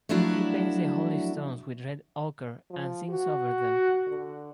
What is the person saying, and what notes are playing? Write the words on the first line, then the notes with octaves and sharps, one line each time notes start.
He paints the holy stones with red ochre and sings over them.
F3 F#3 A3 D4 E4 F#4
F3
F#4
D3